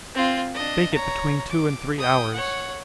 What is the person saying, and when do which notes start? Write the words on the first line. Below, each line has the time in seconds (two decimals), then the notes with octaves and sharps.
Bake it between two and three hours.
0.15 C4 F4
0.54 D4 D#5
0.93 C#5 A#5
1.49 D6
1.98 G5 D#6
2.33 C#5 F#5